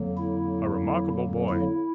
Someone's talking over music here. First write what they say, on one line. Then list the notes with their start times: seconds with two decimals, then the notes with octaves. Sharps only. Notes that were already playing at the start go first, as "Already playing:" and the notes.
'A remarkable boy!
Already playing: F2 D3 F#3 A#3
0.17 E4
1.49 E4